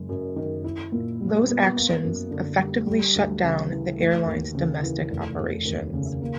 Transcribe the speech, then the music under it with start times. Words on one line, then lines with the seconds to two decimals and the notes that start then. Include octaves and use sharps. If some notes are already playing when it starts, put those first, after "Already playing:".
Those actions effectively shut down the airline's domestic operations.
Already playing: F#1 G#3
0.09 F#2
0.36 D#3
0.64 E4
0.92 A#2
1.20 G3
1.48 B3
1.75 A#3
2.03 F#2
2.31 D3
2.59 G3
2.86 G3
3.15 D2
3.43 C#3
3.71 E3
3.98 A3
4.26 D#2
4.55 C#3
4.82 E3
5.10 F1
5.38 F1
5.65 D#2
5.94 C#3
6.21 A#3